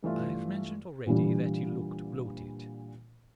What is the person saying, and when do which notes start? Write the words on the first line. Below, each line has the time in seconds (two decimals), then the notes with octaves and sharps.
I have mentioned already that he looked bloated.
0.03 G2 E3 A3 F4
1.06 A#2 D3 E3 G3